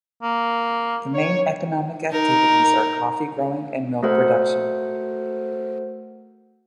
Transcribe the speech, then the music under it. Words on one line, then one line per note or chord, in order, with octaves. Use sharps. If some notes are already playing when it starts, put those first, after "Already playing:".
The main economic activities are coffee growing and milk production.
A#3
C#5
D#4 A#4
A3 F#4 A4 A#4 C5 F#5